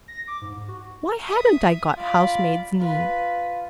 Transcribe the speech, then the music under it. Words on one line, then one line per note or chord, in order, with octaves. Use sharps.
Why hadn't I got housemaid's knee?
A#6
D6
G#2
F#4
E5 D#6
F4 D5 B5
F4 B4